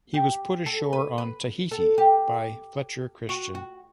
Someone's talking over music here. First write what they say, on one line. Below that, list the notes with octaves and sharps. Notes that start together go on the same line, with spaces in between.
He was put ashore on Tahiti by Fletcher Christian.
G4
A4
B4
B4
A4
G4
F#4
F#4